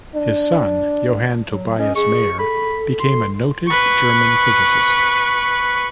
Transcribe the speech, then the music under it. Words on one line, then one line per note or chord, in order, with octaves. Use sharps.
His son Johann Tobias Mayer became a noted German physicist.
D4
F#3
C#4 D#5
G#4 C#6
A4 B5
C6
B4 C#6